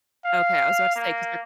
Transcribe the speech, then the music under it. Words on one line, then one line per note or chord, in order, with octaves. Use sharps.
Okay, I was about to say, 'cause they're
F5
A#3